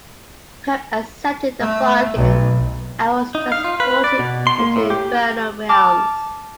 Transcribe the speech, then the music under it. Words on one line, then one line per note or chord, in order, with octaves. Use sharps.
Hope accepted the bargain and was transported into the infernal realms.
A3
B1
D#4
F5
F4
B4
D5
B2
C6
A#3
A2
G4
A5 D6 F6